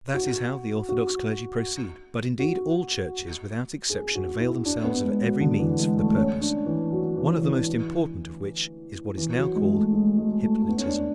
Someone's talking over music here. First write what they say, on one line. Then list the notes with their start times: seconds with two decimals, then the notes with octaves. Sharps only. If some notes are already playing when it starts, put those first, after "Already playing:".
That is how the Orthodox clergy proceed; but indeed all churches without exception avail themselves of every means for the purpose --one of the most important of which is what is now called hypnotism.
0.14 F#4
0.89 F#4
2.39 F#4
3.90 G#4
4.15 F#4
4.40 E4
4.65 D4
4.84 B3
5.04 G#3
5.22 F#3
5.41 D3
5.59 E3
5.79 G#3
5.98 A3
6.16 C#4
6.41 D4
6.66 E3
6.92 F#3
7.17 E3
7.42 E3
9.17 E3
9.36 F#3
9.56 G#3
9.73 A3
9.93 G#3
10.18 G#3
10.43 A3
10.62 A3
10.69 B3
10.78 C#4
10.87 D4